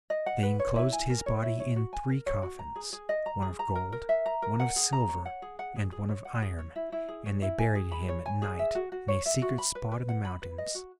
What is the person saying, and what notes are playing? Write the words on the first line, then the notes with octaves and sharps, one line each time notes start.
They enclosed his body in three coffins--one of gold, one of silver, and one of iron--and they buried him at night, in a secret spot in the mountains.
D#5
F#5
B4
C#5
E4
G#5
A#4
C#5
E4
C#5
F#4
G#5
A#4
C#5
F#4
A#5
G#4
G#4
D#5
A#5
G#4
A#5
A#4
A#4
E5
A#5
A#4
F#5
G#4
A#5
C#5
F#5
G#4
F#5
G#4
G#4
C#5
F#5
G#4
C#5
E4
E4
G#4
C#5
E4
G#5
G#4
B5
C#5
G#5
G#4
E5
F#4
F#4
C#5
E5
F#4
B5
B4
B4
F#5
B5
B4
D#5
F#4